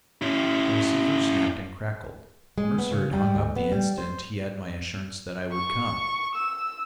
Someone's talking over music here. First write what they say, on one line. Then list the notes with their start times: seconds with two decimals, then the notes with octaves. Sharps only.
The receiver snapped and crackled; Mercer had hung up the instant he had my assurance that I would come.
0.22 C#4 E4
2.58 G#3
2.78 B3
2.91 C#3
3.13 G3
3.35 D2
3.56 B3
3.72 G3
3.98 C5
5.52 C#6
6.35 E6